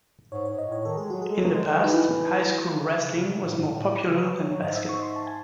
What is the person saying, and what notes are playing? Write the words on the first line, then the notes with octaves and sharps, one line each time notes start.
In the past, high school wrestling was more popular than basketball.
G#2 C#5
C#5
G#2
D#5
A2 C#5
D#3 A4
G#3 G#4
F#3 F#4
G#4
G#3
F#3
G#3
F#3
E3 D#4
E4
C#3
C#3
C3
A2
G#2 E4
A2
C#3
E3
F#3
F#3
G#2 D#5
E5
C#6
C6
A5
G#5